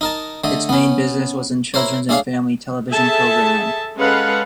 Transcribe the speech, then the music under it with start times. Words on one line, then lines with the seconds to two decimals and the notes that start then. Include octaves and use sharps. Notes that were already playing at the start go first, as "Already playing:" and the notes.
Its main business was in children's and family television programming.
0.01 D#4 A#4 A5
0.44 D3 A3 D#5
0.69 B3 C#4
1.74 E4 A#4 C5 C#5
2.09 A3 D4 G#4 C#5 F5
2.91 G#4 A4 E5 A5
3.97 G#3 C#4 A4 B4 F5 F#5